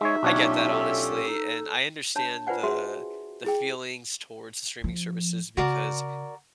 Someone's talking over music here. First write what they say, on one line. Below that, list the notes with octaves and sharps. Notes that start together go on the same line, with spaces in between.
I get that honestly, and I understand the the feelings towards streaming services because
G#3 D#4 G#4 C#5 E5
B1 C#4 D4 F4 G4 C#5
A4
D#4
D4 C#5 A5
F4 B4 C5 D5 F#5 G#5
F#4 G#4 E5 C6
E4 G#4 G5
F3
C#3 F#4 A#4 D5